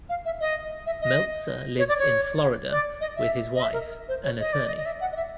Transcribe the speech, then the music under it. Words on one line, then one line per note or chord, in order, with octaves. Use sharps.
Meltzer lives in Florida with his wife, an attorney.
F5
E5
D#5
E5
D#5
C#5
D5
C#5
D5
D#5
E5
D#5
E5
A#4
C5
C#5
D#5
D5
D#5
D#5
E5
F#5
D#5
E5